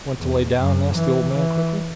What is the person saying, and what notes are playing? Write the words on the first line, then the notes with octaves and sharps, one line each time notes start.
"Want to lay down?" asked the old man quickly.
E2
F#2
E3
E3